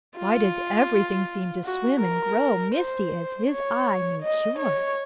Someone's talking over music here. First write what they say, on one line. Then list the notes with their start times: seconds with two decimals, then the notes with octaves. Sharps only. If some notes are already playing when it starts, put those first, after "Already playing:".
Why does everything seem to swim and grow misty as his eye meets yours?
0.17 F4
1.64 F#4
2.01 A#4
2.75 C5
3.49 C#5
4.23 D#5
4.59 C#5